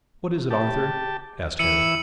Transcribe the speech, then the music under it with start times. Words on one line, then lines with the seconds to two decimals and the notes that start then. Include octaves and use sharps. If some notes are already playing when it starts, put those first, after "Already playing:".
"What is it, Arthur?" asked Harry.
0.50 G4 A5
1.59 E3 E6 C#7 D#7 F#7